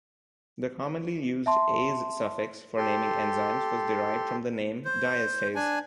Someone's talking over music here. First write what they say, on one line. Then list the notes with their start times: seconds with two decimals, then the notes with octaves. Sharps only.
The commonly used -ase suffix for naming enzymes was derived from the name diastase.
1.46 E5 A5 C6
2.77 G4 A4 C6
4.85 C5
5.55 D4 G#5